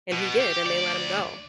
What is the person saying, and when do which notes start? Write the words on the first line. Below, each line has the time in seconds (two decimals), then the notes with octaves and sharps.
and he did, and they let him go.
0.12 B2
0.40 G4
0.66 D2 D5